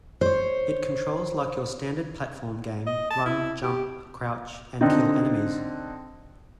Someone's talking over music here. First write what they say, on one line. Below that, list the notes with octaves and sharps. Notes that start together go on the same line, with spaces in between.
It controls like your standard platform game: run, jump, crouch, and kill enemies.
C5 C#5
D#5
A5
E4
G4
D3 C4 D#4